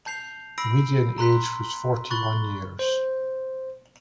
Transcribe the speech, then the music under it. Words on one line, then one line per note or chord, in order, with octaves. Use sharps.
The median age was forty one years.
A5 G6 C7 F7
B5 E6 A#6 C7 D7
A#5 C6 F#6 B6
B5 C#6 F#6 A6 G7
C5